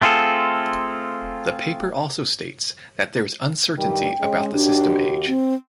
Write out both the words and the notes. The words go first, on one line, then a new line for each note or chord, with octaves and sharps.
The paper also states that there is uncertainty about the system age.
A3 C4 F4 G#4 A4
G2 D#3 G3 G5
G#3 C#4
D#2 D4 F#4 G4
C4